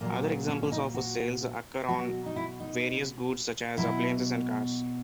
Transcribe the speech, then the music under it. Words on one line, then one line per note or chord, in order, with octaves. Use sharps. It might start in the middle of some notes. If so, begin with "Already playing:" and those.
Other examples of sales occur on various goods such as appliances and cars.
A#2 F#3 A#3
C#4
C#4
D#4
F#4
B2 F#3 F#4
D#4
E4
D#4
B2 F#3 E4